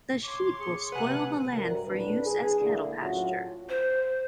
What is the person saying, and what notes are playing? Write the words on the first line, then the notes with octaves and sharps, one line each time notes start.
The sheep will spoil the land for use as cattle pasture.
C#5 C6 D6
G#4 C#7
C3 B4 F#5 G#5 F#6 D#7
D2 G2 F#3 A#4
F2 A2 D4 B4
G#4
D3 A3 A#3 E4
A2 F#3 C#4 F4 F#4
C5